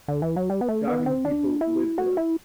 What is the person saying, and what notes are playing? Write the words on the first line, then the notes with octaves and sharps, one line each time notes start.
Dargin people live there.
D3
E3
F#3
G3
B3
A3
B3
C4
D4
E4
F#4
E4